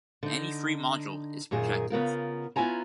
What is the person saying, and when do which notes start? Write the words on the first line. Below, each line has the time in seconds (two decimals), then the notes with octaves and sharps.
Any free module is projective.
0.23 D3 D#4
1.51 F#2 A#2 D#3 G#4
1.90 C#3 B3 F4 A#4
2.56 B3 C#4 E4 F4 G#5 A#5